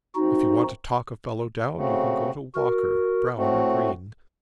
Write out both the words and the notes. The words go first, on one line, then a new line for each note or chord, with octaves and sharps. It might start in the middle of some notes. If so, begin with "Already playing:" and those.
If you want to talk a fellow down you can go to Walker, Brown, or Green.
F#2 F3 C4 D#4 F#4
C#3 A3 C4 F#4
F#4 A#4
A2 A3 C4 F#4